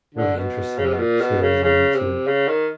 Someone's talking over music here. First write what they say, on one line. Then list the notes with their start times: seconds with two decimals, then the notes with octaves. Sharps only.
really interesting series on YouTube,
0.14 D3
0.36 B2
0.78 C#3
0.85 C3
0.92 B2
1.00 A#2
1.21 B2
1.42 C#3
1.63 C#3
1.95 C3
2.27 C#3
2.48 D#3